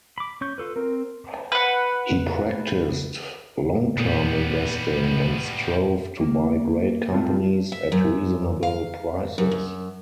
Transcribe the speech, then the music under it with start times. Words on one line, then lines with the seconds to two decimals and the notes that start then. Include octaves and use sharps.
He practiced long-term investing, and strove to buy great companies at reasonable prices.
0.18 B5 D6
0.41 C#4 C#6 G6
0.58 F4 A4 B4
0.76 C4 A#4
1.52 B4 F#5
3.97 A#2 G3 B3
6.21 A#3
7.13 A3 C4 F4 A5
7.72 E5
7.92 F#2
8.63 F5
9.38 F#2
9.51 F#2